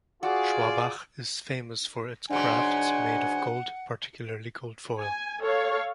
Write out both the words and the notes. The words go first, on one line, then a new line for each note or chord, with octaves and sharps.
Schwabach is famous for its crafts made of gold, particularly gold foil.
F4 F#4 G#4 D5
G#2 C#3 F#3 D4 F#5 G#5
G#5
A4 C#5 F5